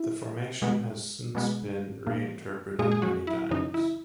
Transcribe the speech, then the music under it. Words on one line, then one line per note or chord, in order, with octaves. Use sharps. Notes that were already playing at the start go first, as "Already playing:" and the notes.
The formation has since been re-interpreted many times.
Already playing: E4
B2 G#3 B3
B2 G#3 B3
A#2 A#3
A#2 G#3 A#3 G#4
G#4
F#3 F#4
E4
F#2 C#3 E3 D#4
E4